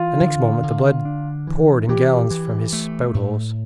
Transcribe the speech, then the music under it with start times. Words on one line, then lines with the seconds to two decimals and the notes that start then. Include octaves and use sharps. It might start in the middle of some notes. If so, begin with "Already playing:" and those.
The next moment the blood poured in gallons from his spout-holes.
Already playing: E3 F4
0.20 D3
0.63 D3
1.05 D4
1.47 E3
1.89 E3 G4
2.31 E3
2.73 A3
3.14 A2